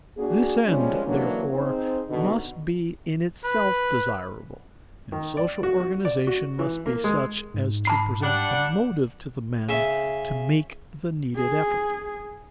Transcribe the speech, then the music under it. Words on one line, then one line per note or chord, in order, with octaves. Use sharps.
This end, therefore, must be in itself desirable, and social organization must be such as to present a motive to the men to make the needed effort.
A#3 D4 F#4 G#4
F3 G3 G#3 C#4
D3 E3 F#3 A#3 C#4 D4
C4 D#4 G#4 C5
B2 D3 D#4
B4
D#3
D5
F#4
F#4
D5
F#4
E3
A#3
G#3
G#2
A5 B5 C7
G3 D4 F#5
C#3 E5
G#4